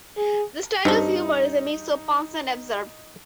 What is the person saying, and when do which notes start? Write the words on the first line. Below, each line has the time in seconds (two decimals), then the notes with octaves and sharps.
The style of humour is a mix of puns and absurd.
0.17 G#4
0.85 G2 E3 C4 D#4 A4